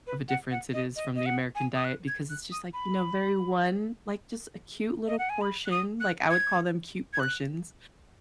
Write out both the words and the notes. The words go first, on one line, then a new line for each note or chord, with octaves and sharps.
of a difference it is from the American diet, because it's just, like, you know, very one like, just a cute little portion, like, I would call them cute portions,
B4
F#5
F#5
D#5
D#5
D#5
F#5
G#5
D#6
F#6
G#6
F#6
D#6
B5
D#5
F#5
G#5
B5
F#6
D#6
F#6
G#6
G#6
F#6